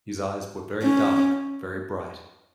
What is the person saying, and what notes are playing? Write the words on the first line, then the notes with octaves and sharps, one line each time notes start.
His eyes were very dark, very bright.
C#4